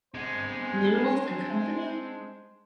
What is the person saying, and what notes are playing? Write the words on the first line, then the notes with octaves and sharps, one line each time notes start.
Noodles and Company?
G#3 C4 D4 C5 F#5 G#5